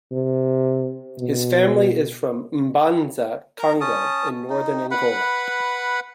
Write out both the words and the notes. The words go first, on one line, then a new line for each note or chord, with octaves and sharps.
His family is from M'banza-Kongo in northern Angola.
C3
B2
A#4 A#5
C#4 A5 D#6
D#4
B4 F#5 B5